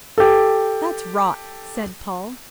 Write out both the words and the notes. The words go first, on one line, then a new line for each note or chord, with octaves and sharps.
"That's rot," said Paul.
G4 A4